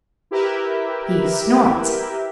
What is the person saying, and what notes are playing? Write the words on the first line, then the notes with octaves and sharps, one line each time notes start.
He snorts.
E4 G4 A#4 B4 E5